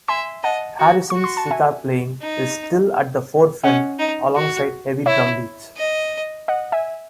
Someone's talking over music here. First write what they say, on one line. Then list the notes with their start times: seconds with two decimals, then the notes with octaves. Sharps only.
Harrison's sitar playing is still at the forefront, alongside heavy drumbeats.
0.08 E5 G#5 C6
0.44 D#5 F#5 A5
0.79 F#4
1.10 F#4 C#6
1.24 C6
1.37 A5
1.51 E5 G#5
2.21 D#4
3.64 C#4 D#5 F#5
3.99 D#4
4.36 F#4
5.06 E4 C#5 E5
5.77 D#5
6.48 D#5 F#5
6.72 E5 G#5